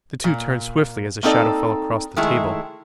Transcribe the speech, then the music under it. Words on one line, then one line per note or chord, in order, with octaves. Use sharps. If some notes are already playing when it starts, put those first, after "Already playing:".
The two turned swiftly as a shadow fell across the table.
A#2
A#3 C4 D#4 A4 D5
D#3 G#3 A3 E4 G#4